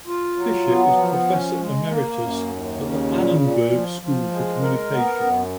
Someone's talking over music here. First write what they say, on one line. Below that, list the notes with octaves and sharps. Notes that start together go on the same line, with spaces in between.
Fisher is Professor Emeritus at the Annenberg School for Communication.
F4
F#3
B3
F3
C#4
G#3
A#3
F#2
D#2
C#3
A#2
A#2
F3
F3
G#3
A#4
B3
F#2